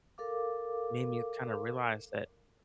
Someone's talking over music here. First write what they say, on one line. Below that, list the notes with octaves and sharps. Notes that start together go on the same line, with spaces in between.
made me kinda realize that
A4 A#4 F5 D6